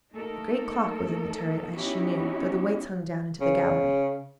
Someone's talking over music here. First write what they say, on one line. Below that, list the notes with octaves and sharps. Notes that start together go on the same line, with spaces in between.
The great clock was in the turret, as she knew, though the weights hung down into the gallery.
A3 A#3 D#4 A4 A#4
B3 C#4 D#4 E4 F#4 G4
C#3